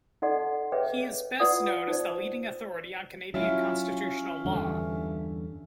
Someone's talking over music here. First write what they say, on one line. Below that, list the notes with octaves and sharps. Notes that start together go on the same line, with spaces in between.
He is best known as the leading authority on Canadian constitutional law.
D#4 A4 D5 D#5 F#5 C6
G#4 B4 C#5 D#5 E5 G5
E4 F4 B4 D5 F#5 D#6
D#4 C5 D5
F#3 C#4 E4 F4 E5
E2 G2 D3